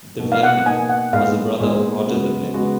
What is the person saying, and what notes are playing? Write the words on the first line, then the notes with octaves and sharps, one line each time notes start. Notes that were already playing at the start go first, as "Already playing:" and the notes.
De Vlaeminck was the brother of Roger De Vlaeminck.
B2 A#3 D#4
F5
F#5
B2 A#3 D#4 G#5
F#5
A#2 G#3 B3 D#4 G#4 F5
A#2 G#3 B3 D#4 G#4
C#3 G#3 B3 F#4
C#3 G#3 B3 F#4